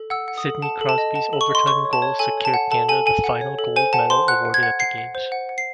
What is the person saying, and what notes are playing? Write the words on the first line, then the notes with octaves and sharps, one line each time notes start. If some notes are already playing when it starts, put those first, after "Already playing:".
Sidney Crosby's overtime goal secured Canada the final gold medal awarded at the Games.
Already playing: A4
F#5 E6
F#5
D#6
A4
F#5 A5
A4
A5
D#5
F#5 A5
A4
C#6
D#5 C6
C#5 C#6
C#5
A5
C#5
A4 G#5
C#5
A5
F#5
A4 A5
A4 G#5
A4 G#5
F#5
C#5
A4
C5 G#5
F#5 A5
C5 C6
F#5 F#6
F#5
G#6
F#5
F#5 C7
F#5
C5
F#5
F#5
C7